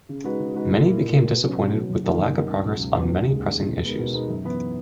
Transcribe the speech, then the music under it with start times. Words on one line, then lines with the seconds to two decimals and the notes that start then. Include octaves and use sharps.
Many became disappointed with the lack of progress on many pressing issues.
0.09 C#3
0.24 G#3 D#4 F#4 B4
0.40 C#3
0.54 G#3 D#4 F#4 B4
0.70 A#2
0.84 A#3 E4
0.99 A#2
1.15 A#3 E4
1.29 B2
1.44 F#3 C#4
1.60 B2
1.75 F#3 C#4
1.89 F#2
2.04 D#3 A#3 D#4 A#4
2.19 F#2
2.35 D#3 A#3 D#4 A#4
2.49 C#2
2.64 B2 F#3 B3
2.79 C#2
2.94 B2 F#3 B3
3.09 D#2
3.24 C#3
3.29 G#3
3.39 D#2
3.54 C#3 G#3
3.69 B2
3.84 G#3 B3 D#4 A#4
3.99 B2
4.14 G#3 B3 D#4 A#4
4.29 F#2
4.44 E3 B3